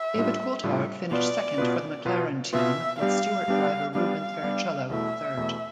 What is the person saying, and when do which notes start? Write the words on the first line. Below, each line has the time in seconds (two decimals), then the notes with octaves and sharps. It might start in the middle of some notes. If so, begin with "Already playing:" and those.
David Coulthard finished second for the McLaren team with Stewart driver Rubens Barrichello third.
Already playing: E5
0.15 A2 G3 D4 F4
0.63 A2 G3 D4 F4
1.11 B2 B3 F4 B4 D5
1.58 B2 B3 F4 B4
2.05 B2 B3 F4 B4
2.53 B2 B3 F4 B4 E5
3.00 G3 B3 D4 G4 D5 F5
3.48 G3 B3 D4 G4 D5
3.95 G3 B3 D4 G4 D5 F5
4.43 G3 B3 D4 G4 D5
4.90 E2 B2 A3 E4 E5
5.37 E2 B2 A3 E4